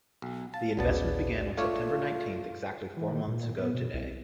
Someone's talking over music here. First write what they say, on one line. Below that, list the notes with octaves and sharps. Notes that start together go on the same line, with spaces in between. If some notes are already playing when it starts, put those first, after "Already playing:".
The investment began on September Nineteenth, exactly four months ago today.
B1
F5 A5
A#1 D#2 C#3 B3 F#4 D5 A5
A3 D4 F4 C#5 F5
E3
D#3
A#2
B3
B2
C2